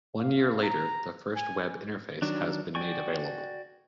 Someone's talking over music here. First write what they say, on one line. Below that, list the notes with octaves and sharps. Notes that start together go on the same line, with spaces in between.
One year later the first web interface has been made available.
F5
A#5
G#5
D#3 F#3 D4
F#4 D5 G5 G#5 C#6